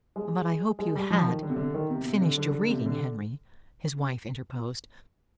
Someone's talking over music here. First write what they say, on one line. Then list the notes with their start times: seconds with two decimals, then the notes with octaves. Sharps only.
"But I hope you HAD finished your reading, Henry?" his wife interposed.
0.16 G#3
0.79 G#3
0.95 G3
1.10 F3
1.27 D#3
1.43 D3
1.50 C3
1.56 D3
1.74 D#3
1.90 C3
2.07 C3
2.21 D3
2.38 D3
2.48 D3
2.60 D3
2.70 C3
2.86 D3